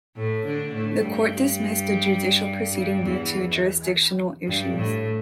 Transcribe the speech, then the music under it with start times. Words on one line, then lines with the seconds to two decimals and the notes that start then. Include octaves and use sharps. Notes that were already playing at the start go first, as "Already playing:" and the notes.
The court dismissed the judicial proceeding due to jurisdictional issues.
0.16 A2 A3
0.46 D3 D4
0.74 A2 A3
1.03 G2 G3
2.74 G2 G3
3.03 E2 E3
4.46 G2 G3
4.76 A2 A3